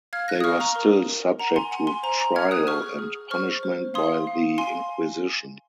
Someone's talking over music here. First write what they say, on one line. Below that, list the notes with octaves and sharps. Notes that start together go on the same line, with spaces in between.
They were still subject to trial and punishment by the inquisition.
F5 F6 G#6
F#6 A#6
D#6
F5 C#6 F6
A#5 C#6
A#4
A#4
F#5 A#5
G#5 C6
F#5 G#5
G#5 C6
C5 A#5
A#5
F#5 F6 G#6
D#6 F#6
G#4 C#6 F6
G#4
C5 C#6 F6
C5
F5 C6 D#6
F5
F5 G#5 C6